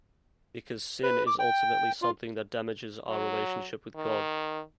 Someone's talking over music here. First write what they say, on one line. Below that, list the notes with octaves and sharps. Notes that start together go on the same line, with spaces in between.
Because sin is ultimately something that damages our relationship with God.
B4
D6
G5
F4
F#3
D#3